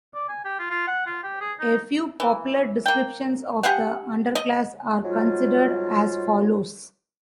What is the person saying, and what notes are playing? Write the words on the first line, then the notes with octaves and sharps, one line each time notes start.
A few popular descriptions of the underclass are considered as follows.
D5
G#5
G4
F4
F4
F#5
F4
G4
G#4
D#4
E3
A#3 G5
G4 G#4 F5 F#5
D#5
G#2 F#3 G3 F4